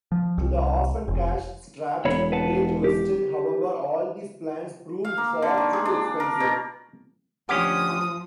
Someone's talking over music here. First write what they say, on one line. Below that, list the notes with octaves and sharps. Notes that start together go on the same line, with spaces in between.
To the often cash-strapped Great Western, however, all these plans proved far too expensive.
F3
C2
F1
E1 B3 C#5 B5
B4 F#5 A5
G4
F5
A#3
D3
D#3
G#3
D4
A#4
B2
D2 F3 C#4 G4 F#5 D#6 F6